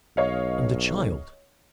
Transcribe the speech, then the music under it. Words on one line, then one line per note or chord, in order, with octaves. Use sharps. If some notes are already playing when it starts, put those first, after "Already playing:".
And the child?
B1 C#5 D#5 F5